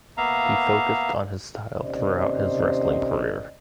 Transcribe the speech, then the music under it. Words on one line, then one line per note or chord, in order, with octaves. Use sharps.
He focused on this style throughout his wrestling career.
A#3 B3 E5 F5 A#5
D#2 C3 C#4 C5 D5 D#5